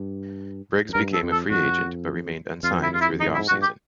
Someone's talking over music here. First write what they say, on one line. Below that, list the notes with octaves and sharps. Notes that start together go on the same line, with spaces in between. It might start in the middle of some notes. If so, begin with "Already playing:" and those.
Briggs became a free agent but remained unsigned through the offseason.
Already playing: G2
F#2
G2 A#4
A4
F2
A4
F2 F#4
F2 F4
E4
F4
E4
D#4
A2
E4
G#2
F#4
G2
G4